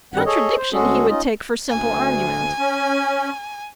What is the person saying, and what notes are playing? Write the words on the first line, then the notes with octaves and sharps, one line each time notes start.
Contradiction he would take for simple argument.
G2 D#3 G3 C4 F#5
G#4 A4 C#5 D#5
C5
D2 G#3 C#4 F#4 G#4 A4
C#4 D#4 F4 D#5
D2 G#5
C#4